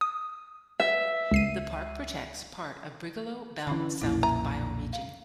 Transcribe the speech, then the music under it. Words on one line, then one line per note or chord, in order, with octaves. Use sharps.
The park protects part of Brigalow Belt South bioregion.
D#6
E5
C#2 C7 D#7
D3 E3 C#4 B5
B1 F2 A#2 E4
E5 A#5
F5